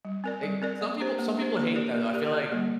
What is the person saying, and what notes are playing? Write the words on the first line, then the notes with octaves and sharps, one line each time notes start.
eh some people some people hate that, though, I feel like
G3
C4 A#4 D5
G3
C4 A#4 D5
A#3
D4 G4 C5
A#3
D4 G4 C5
A#3
G4 A#4 D5
A#3
G4 A#4 D5
D3
G3 A#3